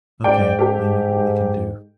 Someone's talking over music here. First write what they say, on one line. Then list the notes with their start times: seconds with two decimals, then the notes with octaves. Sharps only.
OK, I know what we can do.
0.24 G#2 D5 G5
0.59 G4 A4 G5